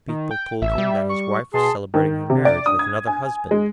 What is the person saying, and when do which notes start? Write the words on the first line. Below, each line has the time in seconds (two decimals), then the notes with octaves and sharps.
People told him that his wife was celebrating her marriage with another husband.
0.08 D#3
0.31 G5
0.62 A1 E5
0.78 G3
1.10 C#6
1.54 B2 G#4 A5 C6
1.94 D#3
2.30 C3
2.45 D5
2.66 D#6
2.79 G#6
3.07 G#5
3.51 G#3